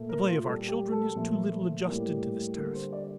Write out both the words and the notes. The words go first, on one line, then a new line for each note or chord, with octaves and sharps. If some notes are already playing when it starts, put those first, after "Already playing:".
The play of our children is too little adjusted to this task.
Already playing: A#2 A3
A#4
F4
A#2 G3 A#3 A4
G4
A4
A#2 F3 A3
A2 G3 A#3
D3 G3 A#3 A#4
C5
D5